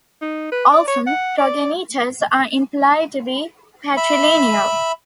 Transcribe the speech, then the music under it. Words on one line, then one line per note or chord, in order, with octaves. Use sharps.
Often, progenitors are implied to be patrilineal.
D#4
B4
D5
C#5
F#5
D5
E5 B5